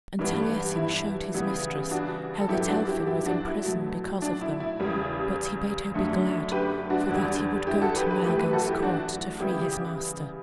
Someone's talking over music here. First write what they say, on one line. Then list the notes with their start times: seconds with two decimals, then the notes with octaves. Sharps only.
And Taliesin showed his mistress how that Elphin was in prison because of them; but he bade her be glad, for that he would go to Maelgan's court to free his master.
0.19 G2 E3 G3 B3
0.76 E4
1.34 C#3 E3 G3 B3
1.91 D4 F#4
2.40 A4
2.49 G2 F#3 B3 E4 G4
2.68 D4 F#4
2.87 E4 G4
3.07 E4 G4
3.26 D4 F#4
3.45 E4
3.64 B2 F#3 A3
4.22 D4
4.41 E4
4.60 E4
4.79 E2 C#3 G3
5.94 F#2 D3 A3
6.52 G4 B4
6.90 D4 F#4
7.09 E2 D3 G3
7.67 E4 G4
7.82 F#4 A4
7.96 G4 B4
8.11 G4 B4
8.25 F#2 E3 A3 G4 B4
8.39 G4 B4
8.53 F#4 A4
8.68 E4 G4
8.82 D4 F#4
9.40 C#3 E3 G3 B3 E4 G4